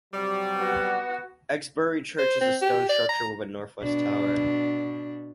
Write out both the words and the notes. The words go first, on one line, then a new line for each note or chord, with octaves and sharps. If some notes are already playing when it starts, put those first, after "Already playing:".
Exbury church is a stone structure with a northwest tower.
C3 F#3 G3
B3 F#4
C5
C4
G4
D5
A#5
B2 D4